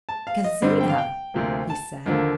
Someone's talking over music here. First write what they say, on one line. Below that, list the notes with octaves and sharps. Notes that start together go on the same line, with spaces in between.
"Gauzita!" he said.
A5
F5
D#5
G2 D3 G3 C4 D#5
G5
F5
G5
D2 C3 F3 A#3
A5
D#2 D3 F3 A#3